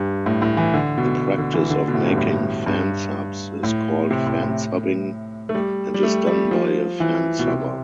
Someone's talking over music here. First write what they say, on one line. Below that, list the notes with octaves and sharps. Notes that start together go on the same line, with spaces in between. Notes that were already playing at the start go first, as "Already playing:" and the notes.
The practice of making fansubs is called fansubbing and is done by a fansubber.
Already playing: G2
A2
A2
E3
D3
B2
D3
E3
D3
B2
A2
G2
A2
G2
A2
C3
A2
A2
A3
G3
G3
A3
G3
F3
E3
B2
C3